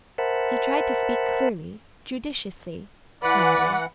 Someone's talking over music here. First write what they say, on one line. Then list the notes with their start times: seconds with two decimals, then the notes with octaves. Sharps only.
He tried to speak clearly, judiciously, kindly.
0.18 A#4 C5 E5 F#5 A5 B5
3.23 E3 B4 D5 F#5